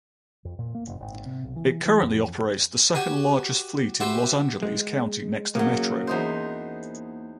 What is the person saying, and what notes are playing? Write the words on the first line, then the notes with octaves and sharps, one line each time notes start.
It currently operates the second-largest fleet in Los Angeles County next to Metro.
F2
A#2
A#3
F#1
G#1
C3
B1
E3
E3
F2
F#4 G4 C#5 G#5
F#4 G4 B4 C5 E5 G5
G#3
C#3 F#3 A#3
E2 D#4 C5